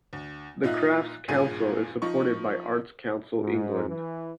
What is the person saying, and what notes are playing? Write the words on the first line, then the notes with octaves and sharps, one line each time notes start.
The Crafts Council is supported by Arts Council England.
D2
A#2 D#4 F4 E5 F#6
G#1 G2 A#2 G#4 D#7
F3 D#4 C#6
G#2
E3